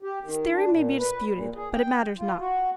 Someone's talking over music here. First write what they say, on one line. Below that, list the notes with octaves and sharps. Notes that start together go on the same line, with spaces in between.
This theory may be disputed, but it matters not.
G4
D#3
D4
A#2
B4
A#2
G#4
G5
F4
F#4